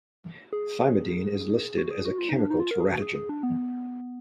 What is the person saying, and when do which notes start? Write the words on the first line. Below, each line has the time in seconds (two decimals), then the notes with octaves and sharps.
Thymidine is listed as a chemical teratogen.
0.53 G#4
1.78 F#4
1.91 G#4
2.05 F#4
2.18 F4
2.29 D#4
2.39 D4
2.50 D#4
2.60 F4
2.71 A#4
2.80 G#4
2.91 F#4
3.02 G#4
3.15 G#4
3.29 D4
3.43 B3